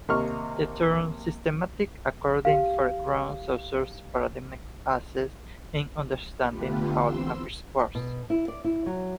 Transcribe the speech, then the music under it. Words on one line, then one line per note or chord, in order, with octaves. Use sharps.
The term "systemic" accordingly foregrounds Saussure's "paradigmatic axis" in understanding how language works.
D#2 C3 A#3 D#5 C#6 F6
G4 F5
D3 A3 B3 F4 G4 B4
E2 C4 C6 E6
B2
E4
D5
E4
F#3